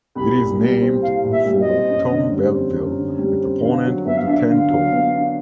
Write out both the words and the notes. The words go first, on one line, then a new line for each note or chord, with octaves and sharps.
It is named for Tom Bevill, a proponent of the Tenn-Tom.
C2 B5
A#2
G3
C4
C2 F5
A#2
E5
G3
D#5
C4
F#2
D3
G3
C4
F#2
D3
G3
C4
D3 F5
F#3
B3 E5
F5
D4 E5
D3 F5
F#3
B3
D4